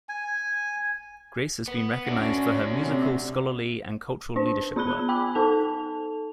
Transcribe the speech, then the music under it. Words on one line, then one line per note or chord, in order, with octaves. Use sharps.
Grace has been recognized for her musical, scholarly, and cultural leadership work.
G#5
B3
C#4 D4 F#4
C3
D4 C5
B3 F4 B5 F#6 G7
G5 G#5 B5 D6
D#4 A4 A5 F7